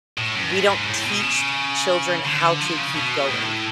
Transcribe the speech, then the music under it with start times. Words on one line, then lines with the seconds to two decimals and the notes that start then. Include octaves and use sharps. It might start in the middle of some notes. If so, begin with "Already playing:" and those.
we don't teach children how to keep going.
0.18 A2
0.35 F#2
0.52 G#2
0.87 A2
1.04 B2
1.21 C#3
2.26 D3
2.60 F3
2.78 C#3
2.95 B2
3.30 A2